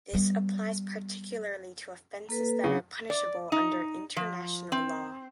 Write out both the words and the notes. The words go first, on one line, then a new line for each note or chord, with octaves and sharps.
This applies particularly to offenses that are punishable under international law.
G3 B3
A#3 A4 B4
C#3 F#3 D4
D5
D#4
F3
C4